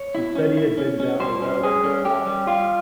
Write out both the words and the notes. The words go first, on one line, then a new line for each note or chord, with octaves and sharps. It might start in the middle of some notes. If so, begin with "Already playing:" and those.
He said he had been down a well to get water.
Already playing: C#5
E4
C#4
E4
C#4
C#4
G3 C5
C#4
G3 G#4
C#4
C#4 G4
G3
G3 F4